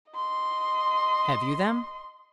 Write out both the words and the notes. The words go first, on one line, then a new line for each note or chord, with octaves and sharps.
"Have you them?"
D#5 C6